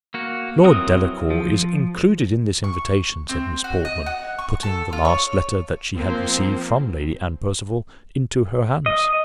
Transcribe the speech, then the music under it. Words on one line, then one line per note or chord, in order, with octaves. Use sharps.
"Lord Delacour is included in this invitation," said Miss Portman, putting the last letter that she had received from Lady Anne Percival into her hands.
A#3 F#4
E3 F#3 C4 A#4 D#6
F3
C#6
C4
F#4
D#5
F#5
C#6
A4
F4
C#5
F3 A#3 C4 C5
D#5